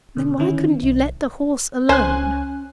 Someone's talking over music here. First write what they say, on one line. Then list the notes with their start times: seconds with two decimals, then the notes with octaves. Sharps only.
"Then why couldn't you let the horse alone?"
0.17 B2 D3
0.38 D3 D#3 C#4 E4
0.83 B1
1.89 C#2 C#4 C5 G#5 F#6